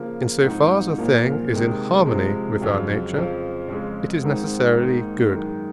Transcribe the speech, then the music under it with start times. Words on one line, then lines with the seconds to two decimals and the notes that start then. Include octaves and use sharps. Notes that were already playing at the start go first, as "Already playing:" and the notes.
In so far as a thing is in harmony with our nature, it is necessarily good.
Already playing: C#3 F3 A#3
0.43 G#2 F3 C4 D#4
0.98 A#2 F3 A#3
1.52 C3 D#3 G#3
2.05 C3 F3 G#3
2.60 F2 C#3 F#3
3.14 F2 C#3 F3
3.69 F2 C#3 G#3
4.23 G#2 D#3 G#3 C4 D#4
4.77 G#2 D#3 A#3 D#4
5.31 F#2 D#3 G#3 D#4